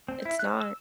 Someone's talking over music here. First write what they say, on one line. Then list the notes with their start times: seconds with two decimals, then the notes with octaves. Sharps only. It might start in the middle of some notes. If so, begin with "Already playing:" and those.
It's not.
0.08 C4
0.25 E4
0.39 F#6
0.60 E6